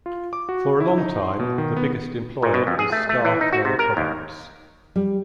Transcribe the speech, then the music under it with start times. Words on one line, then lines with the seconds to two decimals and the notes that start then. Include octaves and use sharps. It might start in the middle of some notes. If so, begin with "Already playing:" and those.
For a long time, the biggest employer was Star Clay Products.
0.06 F4
0.33 D6
0.49 F#4
0.80 E4
0.98 D#4
1.23 C6
1.39 B2
1.58 D#3
1.77 B3
2.43 A#2
2.54 B2
2.67 F2
2.79 G#4
2.92 A3
3.09 A3
3.25 E3
3.41 D#4
3.53 F#4
3.65 C3
3.79 A#4
3.97 D#2
4.96 G3